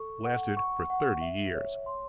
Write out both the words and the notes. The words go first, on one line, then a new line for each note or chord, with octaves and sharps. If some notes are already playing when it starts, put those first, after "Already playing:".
It lasted for thirty years.
Already playing: A4 C#6
F#5
C#6
F#5
E5
C#5
C6